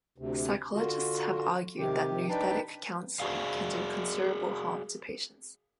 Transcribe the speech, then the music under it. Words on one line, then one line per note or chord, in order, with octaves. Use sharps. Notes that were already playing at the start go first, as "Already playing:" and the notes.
Psychologists have argued that nouthetic counseling can do considerable harm to patients.
D2 C3
D3 F4 F#4
C3 D#3 G4
D4 D#4 B4 G5 A5
F#4 G#4 D5 F5